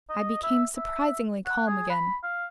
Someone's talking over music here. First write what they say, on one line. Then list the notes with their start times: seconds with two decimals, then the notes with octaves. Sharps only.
I became surprisingly calm again.
0.10 D#5
0.43 E5
0.77 E5
1.46 F#5
1.67 G#4
1.90 B5
2.23 F5